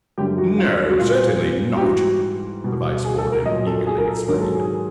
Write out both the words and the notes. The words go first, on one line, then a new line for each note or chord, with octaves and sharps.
"No! Certainly not!" the Vice-Warden eagerly explained.
F#2 D3 G3 G4
F#4
F4
F#4
A#2 G3 F4
G4
G#2 E3 G3 F#4
B2 G3
G#4
A4
A#4
A#2 F#3 D#5
A4
G#4
A#4
A4
G#2 D#3 F#3 A#4
G#4
A4
G#4